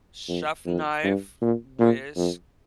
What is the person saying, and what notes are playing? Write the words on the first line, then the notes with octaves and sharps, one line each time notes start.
chef knife, whisk,
F2
F2
G2
A#2
A#2
F2